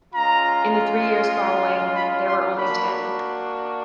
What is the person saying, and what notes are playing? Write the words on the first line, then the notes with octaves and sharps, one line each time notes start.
In the three years following, there were only ten.
G#3 C#4 F4 A#5
B5
C6
A#3 D4 F#4 B5